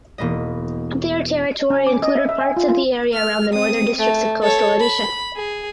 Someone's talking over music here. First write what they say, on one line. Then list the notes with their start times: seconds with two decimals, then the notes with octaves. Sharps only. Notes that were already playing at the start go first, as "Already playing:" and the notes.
Their territory included parts of the area around the northern districts of coastal Odisha.
0.18 E1 A#3 B3 D#5
1.70 C#4
1.87 D6
2.03 D#5
2.15 E5
2.29 E5
2.41 G#5
2.57 F4
2.70 F4
3.13 F6
3.52 C4 D#6
3.98 A3
4.42 A4 C#5
4.80 B5
5.36 G#4